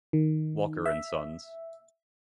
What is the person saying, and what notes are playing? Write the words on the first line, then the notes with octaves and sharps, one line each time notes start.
Walker and Sons.
D#3
E5